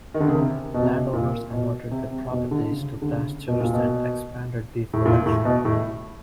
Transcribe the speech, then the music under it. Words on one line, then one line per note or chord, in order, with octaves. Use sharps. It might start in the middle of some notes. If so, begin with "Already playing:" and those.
Landowners converted their properties to pastures and expanded beef production.
D#3
D3
C#3
C3
B2
C3
B2
A#2
B2
C3
C3
B2
D3
C#3
D3
C#3
B2
A#2
B2
A2
A#2
A2
B2
A2